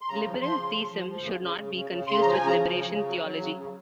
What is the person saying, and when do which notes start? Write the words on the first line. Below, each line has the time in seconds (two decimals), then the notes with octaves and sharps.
Liberal theism should not be confused with Liberation Theology.
0.01 C6
0.09 C#3 A#5
0.25 F3
0.42 F3 C6
0.59 C#3
0.75 F3
0.92 F3
1.08 F3
1.25 C#3
1.41 C#3
1.58 C#3
1.74 C#3
1.91 C#3
2.07 C#3 C6
2.21 F3 A#5
2.33 G#5
2.40 C#3
2.47 A#5
2.57 F3
2.73 C#3
2.90 C#3
3.06 F#3
3.23 F#3
3.40 C#3
3.56 C#3